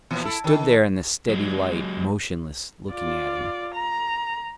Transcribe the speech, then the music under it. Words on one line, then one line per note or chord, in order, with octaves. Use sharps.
She stood there in the steady light, motionless, looking at him.
A#2 E3 F3
E4 A4
D#3 A4
F#3 G#3
F4 D5
A#5